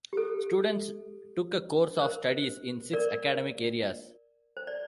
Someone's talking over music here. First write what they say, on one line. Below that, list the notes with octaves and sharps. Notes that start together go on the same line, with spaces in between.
Students took a course of studies in six academic areas.
G4
A4
A#4
C5
A#4 D5
C5
D5